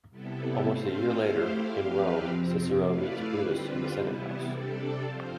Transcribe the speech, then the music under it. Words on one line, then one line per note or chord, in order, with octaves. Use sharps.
Almost a year later, in Rome, Cicero meets Brutus in the Senate House.
C3 G3 B3 E4 A4
A3 C4 F4 C5 F5
A3 E4 G4 C5 F5
F3 C4 G4 B4 F5
F2 C3 F3 C4
A3 E4 B4 D5 F5
D3 G3 C4 F4 B4
C3 E3 G3 B3 E4
C3 G3 D4 A4 D5
F3 C4 F4 C5